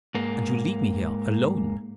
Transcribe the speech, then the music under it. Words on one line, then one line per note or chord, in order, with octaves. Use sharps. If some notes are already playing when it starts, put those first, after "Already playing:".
"And you leave me here, alone!"
G#2 A#3